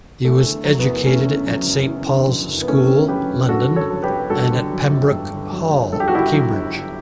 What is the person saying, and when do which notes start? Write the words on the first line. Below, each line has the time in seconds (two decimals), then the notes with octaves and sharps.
He was educated at Saint Paul's School, London, and at Pembroke Hall, Cambridge.
0.25 E2 A3
0.45 D3
0.65 F#3
0.79 B3
0.86 F#1
1.05 E2 A3 C#4
1.26 D3
1.46 F#3
1.67 F#1
1.87 E2
2.07 D3
2.27 F#3
2.48 F#1
2.62 B3
2.68 E2 A3 C#4
2.88 D3
3.08 F#3 G4 B4
3.29 F#1
3.49 G2 F#4 A4
3.69 D3
3.76 A4 C#5
3.89 F#3
4.03 G4 B4
4.10 G1
4.30 G2 F#4 A4
4.51 D3
4.71 F#3
4.91 G1
5.11 G2
5.31 D3
5.52 F#3
5.72 G1
5.92 G2 A4
6.00 G4
6.08 F#4
6.13 D3 E4 G4
6.33 F#3
6.53 G1
6.74 D3